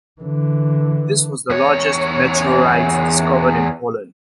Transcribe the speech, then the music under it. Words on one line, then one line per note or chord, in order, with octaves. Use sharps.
This was the largest meteorite discovered in Poland.
D3 E3
E2 C#5